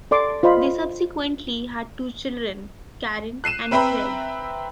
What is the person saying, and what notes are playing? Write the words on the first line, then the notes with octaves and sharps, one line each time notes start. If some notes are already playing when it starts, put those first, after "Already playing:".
They subsequently had two children, Karen and Craig.
A4 D5 C6 D6
F4 C5 D#5 B5
F#6 C7 D#7 E7
C4 B4 E5 G5 A#5 B5